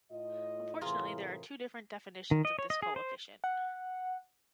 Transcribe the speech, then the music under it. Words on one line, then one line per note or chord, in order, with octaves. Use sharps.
Unfortunately there are two different definitions of this coefficient.
A2 F4 D#5
A2 C3 E3 F4 G#4 A#4
D#3
D#5
C#5
D#5
G#4
C5
F#5